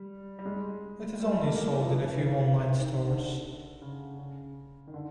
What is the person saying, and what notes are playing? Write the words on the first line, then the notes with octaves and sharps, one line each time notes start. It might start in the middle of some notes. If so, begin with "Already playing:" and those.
It is only sold in a few online stores.
Already playing: G3
G3
G#3
G3
A3
A#3
A#3
E3
F3
E3
E3
D#3
D3
C#3
C#3
D#3
D3